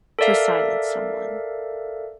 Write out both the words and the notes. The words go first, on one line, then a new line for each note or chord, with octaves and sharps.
To silence someone.
A4 A#4 D5 E5 F5